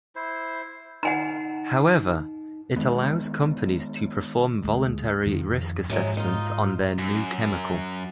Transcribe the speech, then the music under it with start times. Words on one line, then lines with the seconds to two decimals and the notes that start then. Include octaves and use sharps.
However, it allows companies to perform voluntary risk assessments on their new chemicals.
0.16 E4 C5
1.03 D#4 F#5 G#5 A#5
2.76 D#3 F3 G#3 B3
4.64 D2 G#3
5.26 F2 D#3 F3
5.90 G#2 C3 F#3 G#3
6.17 D#4 F4
6.98 F#2